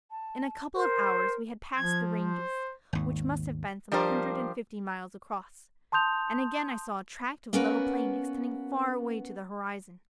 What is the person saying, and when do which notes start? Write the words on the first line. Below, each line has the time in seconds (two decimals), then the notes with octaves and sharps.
In a couple of hours we had passed the ranges, which must have been some hundred and fifty miles across, and again I saw a tract of level plain extending far away to the horizon.
0.11 A5
0.75 A#4 C5
1.76 F3 G#6
2.20 C5
2.93 G#1 D#2
3.92 F3 G3 D4 G4 A#4 C5
5.92 A5 C6 D#6 G6 F7
7.53 A#3 B3 C#4 F#4 A#4 B4